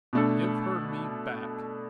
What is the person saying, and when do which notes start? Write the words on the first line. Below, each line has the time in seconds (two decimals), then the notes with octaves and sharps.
"Give her me back!"
0.13 B2 A3 D4 A4